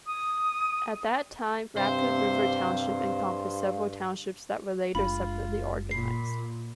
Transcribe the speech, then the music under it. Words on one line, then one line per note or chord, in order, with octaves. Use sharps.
At that time, Rapid River Township encompassed several townships that were later separately organized.
D#6
G2 C3 C5 F5
F#1 G#3 D4 F4 B5
A#2 B5 C7